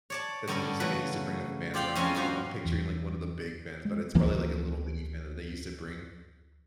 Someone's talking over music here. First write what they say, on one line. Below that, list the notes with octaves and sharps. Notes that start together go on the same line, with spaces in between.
that's interesting they used to bring a fan around with them, I'm picturing, like, one of the big fans, but it's probably, like, a little mini fan that they used to bring.
C#5 D5 A5
G2 D3 C#4 A4 A#4 B5
C#3 E3 F#3 A3 B4 B5
F4 G4 D5 F5 G5
F2 C#4 F4 D#5 G#5 A5
G2 F3 C#4 F#4 G4 F5
E2
G#3
D2 E3 F3 A#3